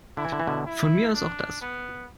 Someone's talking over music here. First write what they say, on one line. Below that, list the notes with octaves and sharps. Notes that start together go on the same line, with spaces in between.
Von mir aus auch das.
D3 E4
E3
D3
E3
B2 D3
E4
D4
B3